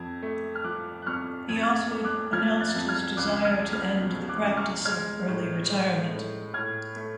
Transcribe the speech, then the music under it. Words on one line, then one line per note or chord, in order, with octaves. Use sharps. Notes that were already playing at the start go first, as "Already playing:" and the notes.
He also announced his desire to end the practice of early retirement.
Already playing: F2 G#6
A3
F6
F3 D6 F#6
F#6
F2 C#6 F6
F2 G#6
A6
F6 G#6
A3
D6 F#6
F3 F6 G#6
F#6 A6
F2
F6 G#6
C#2 D6 F#6
F6 G#6
G#3
F6 G#6
B2
D6 F#6
C#2 D6
C#6 F6
G#3 F6 G#6
A2
G#3
A2
A2 F6 G#6
A3